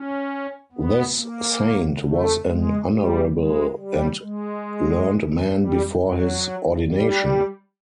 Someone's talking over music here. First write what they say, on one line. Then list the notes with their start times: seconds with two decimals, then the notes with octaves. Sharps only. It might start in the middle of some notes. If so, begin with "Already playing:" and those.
This saint was an honorable and learned man before his ordination.
Already playing: C#4
0.72 B3
1.15 A#3
2.02 A3
2.46 G#3
2.90 G3
3.33 G#3
3.76 G3
4.20 G#3
5.51 G3
5.94 F#3
6.81 G3